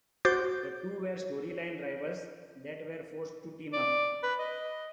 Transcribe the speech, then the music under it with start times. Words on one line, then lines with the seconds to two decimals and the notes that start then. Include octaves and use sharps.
The two were storyline rivals that were forced to team up.
0.25 F#4 C5 D6 G6 A6
3.73 D5
4.23 B4
4.39 D#5